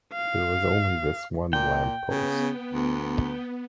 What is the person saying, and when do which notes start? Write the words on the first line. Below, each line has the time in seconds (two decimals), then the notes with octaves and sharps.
There was only this one lamp-post.
0.13 F5
1.53 A#2 G5
2.09 C#3 B3
2.73 D2